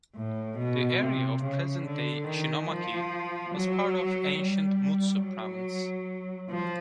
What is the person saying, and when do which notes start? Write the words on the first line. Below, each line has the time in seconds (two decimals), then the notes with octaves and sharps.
The area of present-day Ishinomaki was part of ancient Mutsu Province.
0.16 A2
0.58 B2
1.00 C3
1.42 C#3
1.85 D3
2.27 D#3
2.70 F3
3.54 F#3
4.39 G3
5.23 F#3
6.50 F3